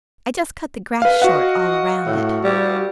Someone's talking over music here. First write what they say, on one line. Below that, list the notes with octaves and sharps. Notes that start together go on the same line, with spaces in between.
I just cut the grass short all around it.
B4 F5
F#4 D#5 F5 F#5
A2
G3